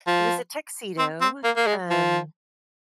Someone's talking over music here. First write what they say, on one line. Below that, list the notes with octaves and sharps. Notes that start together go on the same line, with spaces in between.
It was a tuxedo, um
F3
C4
C4
A#3
A#3
G#3
F3